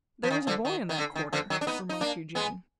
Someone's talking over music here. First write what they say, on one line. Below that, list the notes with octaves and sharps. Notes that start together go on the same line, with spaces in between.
'There was a boy in that quarter,' remarked Eugene.
F3
D#3
D3 F3
D#3
D#3
D3
D#3
D3 F3
D#3 F#3
D4
B3 D#4
D#4
A#3 D4
G#3 B3